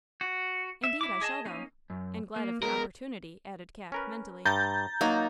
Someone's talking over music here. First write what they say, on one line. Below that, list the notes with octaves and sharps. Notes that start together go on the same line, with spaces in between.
"Indeed I shall, though--and glad of the opportunity," added Cap, mentally.
F#4
E5
E4 D6
G#4 D#5 A5
A#3 C#4 D#4
F#2
A#3
G#3 A#3 B3 A#4
C#4 A#4 B4
G2 A#5 G6 A6
F#3 A#3 D#4